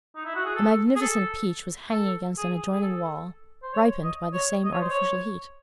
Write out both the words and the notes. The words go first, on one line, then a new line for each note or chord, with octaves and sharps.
A magnificent peach was hanging against an adjoining wall, ripened by the same artificial heat.
D#4
E4
F#4
G#4
A4
G#4
A4
A4
G#4
G#4
A4
C5
C#5
D#5
C#5
D#5
C#5
C5
C#5